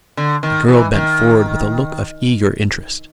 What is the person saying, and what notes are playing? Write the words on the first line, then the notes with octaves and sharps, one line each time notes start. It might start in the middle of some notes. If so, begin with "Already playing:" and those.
The girl bent forward with a look of eager interest.
D3
D#3
E3
D#3